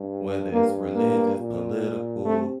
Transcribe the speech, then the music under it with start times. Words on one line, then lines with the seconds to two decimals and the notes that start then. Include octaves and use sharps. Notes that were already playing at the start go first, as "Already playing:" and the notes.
whether it's religious, political,
Already playing: G2
0.52 G2 A#3
0.96 A#3
1.38 A#2
2.25 C3 A3